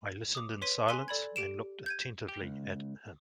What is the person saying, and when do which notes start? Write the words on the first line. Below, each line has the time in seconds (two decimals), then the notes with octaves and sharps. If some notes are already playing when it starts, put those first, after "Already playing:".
I listened in silence and looked attentively at him.
0.35 D6 D#6
0.62 B4 C#5 C6 B6 D#7
0.88 G#5 C6 F#6 B6 D#7 G7
1.08 A4 D5 B5 G#6
1.36 G4 D7 E7
1.86 G6 G#6 D#7
2.28 G4
2.41 C#2